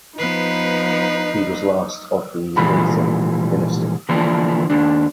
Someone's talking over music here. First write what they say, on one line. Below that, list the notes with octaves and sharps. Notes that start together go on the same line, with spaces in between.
He was the last of the Lething Dynasty.
F3 B3 D#4 B4 C7
A#2 E3 F3 G3 B5
D3 E3 F3 A#3 D4
D#2 D4